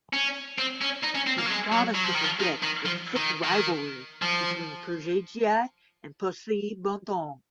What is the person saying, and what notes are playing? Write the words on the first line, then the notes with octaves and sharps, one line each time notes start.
He promised to forget the thick rivalry between Persija and Persib Bandung.
C#4
C4
C#4
D#4
C#4
C4
A#3
F#3
G#3
F#3
F#3
F3
D#3
F3
D#3
D#3
F3
D#3
D#3
F3